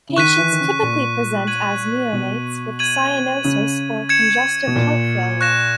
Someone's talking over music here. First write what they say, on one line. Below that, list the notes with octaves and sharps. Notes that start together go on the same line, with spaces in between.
Patients typically present as neonates with cyanosis or congestive heart failure.
C#3
D#3 C#6 F#6 B6 D#7
E3
D#3
C#3
A#2
G#6 D#7 F#7
B2
G#6 D#7 F#7
C#3
G#6 C#7 E7
B2
A#2
C#6 F#6 A#6 E7